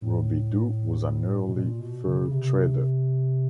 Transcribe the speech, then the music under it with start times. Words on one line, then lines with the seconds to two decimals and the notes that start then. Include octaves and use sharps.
Robidoux was an early fur trader.
0.02 A2
1.48 B2
1.54 A#2
1.80 B2
2.06 C#3
2.31 C3